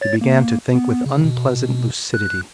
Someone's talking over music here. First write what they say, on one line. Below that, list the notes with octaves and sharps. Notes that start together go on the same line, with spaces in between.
She began to think with unpleasant lucidity.
C#5 A6
A#3
B3
C#3
B2
F#6